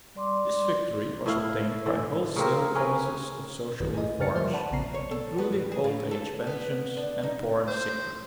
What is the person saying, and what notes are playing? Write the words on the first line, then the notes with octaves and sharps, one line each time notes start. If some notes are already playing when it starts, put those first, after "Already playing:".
This victory was obtained by wholesale promises of social reforms, including old age pensions and poor and sick relief.
G3 D5 C6 D6
A2 E4 F5
D3 E3
C#3 A#3 C4 A#4
C#4 G#4 A#4 B4
A#1 F#2 D#3 B4
G#4 D#5
F2 C#3 A#4 F6 A6 C#7
F3 G3 A#4 C5 E5
D5 F#5 A5 B5
A#1 C#3 B3 A#5 C7
C#5
A4
B3
G2
G#4
A2
A4
B3
D4
D#4
C5